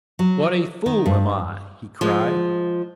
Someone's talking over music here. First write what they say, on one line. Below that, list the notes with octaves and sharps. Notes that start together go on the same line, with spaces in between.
"What a fool am I!" he cried.
F#3
D#3
G2
F3 G#3